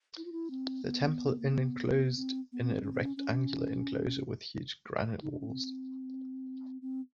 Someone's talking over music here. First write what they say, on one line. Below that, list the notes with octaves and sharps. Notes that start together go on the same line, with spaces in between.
The temple in enclosed in a rectangular enclosure with huge granite walls.
E4
F4
E4
C4
B3
A#3
B3
B3
C4
B3
C4
C#4
C4
C#4
C#4
D#4
D4
C#4
C4
C4